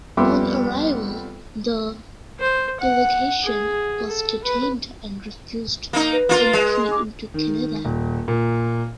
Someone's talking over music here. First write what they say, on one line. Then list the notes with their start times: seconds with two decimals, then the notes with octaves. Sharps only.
On arrival the delegation was detained and refused entry into Canada.
0.17 F2 G3 B3 E5 C6 D6
2.39 C5
2.80 F#5
3.43 G#4
4.08 A4
4.44 B4
5.93 A#3 D#4
6.12 B4
6.29 A#3 F4
6.53 G#3
6.91 D6
7.34 D#3
7.85 D#1
8.28 A#2